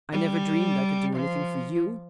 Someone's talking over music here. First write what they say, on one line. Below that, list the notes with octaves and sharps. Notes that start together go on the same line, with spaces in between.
I never dreamed I could do anything for YOU!
G3
F3